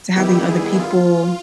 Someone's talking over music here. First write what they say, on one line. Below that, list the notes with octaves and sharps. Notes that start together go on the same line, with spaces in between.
to having other people
D#3 G3 B3 E4 G4
G#4
F4